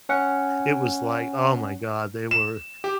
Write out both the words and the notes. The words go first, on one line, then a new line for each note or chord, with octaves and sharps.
it was like oh my god, they were
C#4 F#5
E7
G4